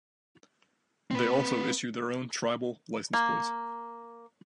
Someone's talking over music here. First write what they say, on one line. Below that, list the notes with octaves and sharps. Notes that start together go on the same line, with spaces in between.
They also issue their own tribal license plates.
C4 B4
A#3